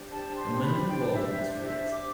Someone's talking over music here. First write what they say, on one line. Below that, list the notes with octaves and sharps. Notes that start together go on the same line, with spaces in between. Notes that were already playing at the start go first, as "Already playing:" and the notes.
A man walks on the street.
Already playing: D4 G4 C5
A5
C6
B5
G5
E5
E5
D6